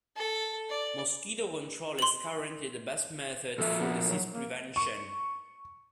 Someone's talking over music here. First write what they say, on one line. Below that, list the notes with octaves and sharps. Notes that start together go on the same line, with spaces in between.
Mosquito control is currently the best method for disease prevention.
A4
D5
C6 F#7
A#2 F3 A4 E5
B3
F#3
A#3
C#6